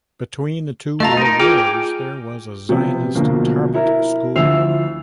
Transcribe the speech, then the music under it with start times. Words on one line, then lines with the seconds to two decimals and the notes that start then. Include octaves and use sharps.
Between the two World Wars there was a Zionist Tarbut school.
1.00 A3 F4 D#5 A5 A#5
1.17 D#4 A#4
1.39 F4 G#4 G5 G#5 D6
2.69 C3 F3 B3
3.15 B1 B2 D3 F3 A#3
3.74 E4 A#4
4.36 D2 F3 E4 E6 C7 F7